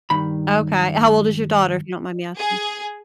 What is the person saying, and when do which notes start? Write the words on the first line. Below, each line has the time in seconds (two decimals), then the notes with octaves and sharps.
Okay how old is your daughter, if you don't mind me asking?
0.10 G2 D#3 B5
2.38 G#4